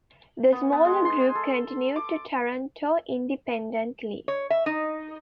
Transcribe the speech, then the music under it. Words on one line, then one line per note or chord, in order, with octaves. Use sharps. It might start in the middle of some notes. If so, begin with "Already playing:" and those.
The smaller group continued to Taranto independently.
B3
B3
G#3
C6
G#5
A4
D6
C#5
E5
D#4